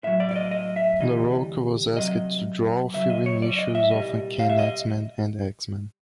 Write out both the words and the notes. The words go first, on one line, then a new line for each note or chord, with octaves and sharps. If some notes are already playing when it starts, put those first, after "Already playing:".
Larroca was asked to draw fill-in issues of "Uncanny X-Men" and "X-Men".
A2 F#3 E5
D5
D5
D#5
D#5
E5
D2 C3 E3 G3 D#5
C2 C3 F#3 D#5
F#2 C#3 F#3 E5
D#5
C#5
D5
D#5
E5
C2 A#2 G3 D#5
F5
E5
D#5